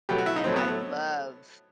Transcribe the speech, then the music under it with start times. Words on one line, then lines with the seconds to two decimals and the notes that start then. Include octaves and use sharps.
and I love
0.09 B2 F#3 A3 G4
0.18 F#4
0.26 E4
0.36 D#4
0.44 A2 F#3 A3 C4
0.56 B3
0.68 A3